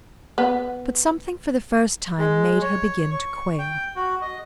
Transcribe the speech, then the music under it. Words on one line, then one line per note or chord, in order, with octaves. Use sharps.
But something for the first time made her begin to quail.
B3
G#3
C#5
C#6
G5
F#4
D#5